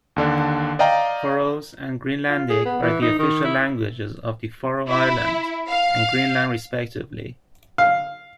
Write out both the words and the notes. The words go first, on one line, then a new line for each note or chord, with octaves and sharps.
Faroese and Greenlandic are the official languages of the Faroe Islands and Greenland respectively.
D#2 D3 D4
D5 D#5 F5 G5 A#5
F4
G#4
B3
E3
D#4
D#3
E4
E4
F5
F5